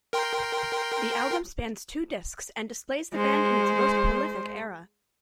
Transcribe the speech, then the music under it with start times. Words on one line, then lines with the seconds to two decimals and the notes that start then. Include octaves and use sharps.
The album spans two discs and displays the band in its most prolific era.
0.13 A#4 G5 C6
3.14 G#3 C5